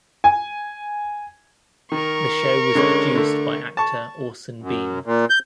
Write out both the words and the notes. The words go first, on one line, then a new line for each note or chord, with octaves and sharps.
The show was produced by actor Orson Bean.
G#5
D#3 A#4 C#6
D3 G#3 C#4
D3 A3
A5 C#6
F#2
A#2
G6